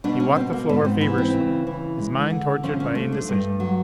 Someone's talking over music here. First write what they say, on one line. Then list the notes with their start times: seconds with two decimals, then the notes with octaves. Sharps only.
He walked the floor feverishly, his mind tortured by indecision.
0.04 B2 D4
0.20 C#4
0.36 B2 C4
0.53 A#3
0.69 G#2 B3
0.85 C4
1.01 E3 B3
1.18 C4
1.34 C#3
1.67 E3
1.99 G#3
2.30 D3
2.64 F3 C#4
2.80 C#4
2.95 A3
3.12 D4
3.29 G2
3.60 F#3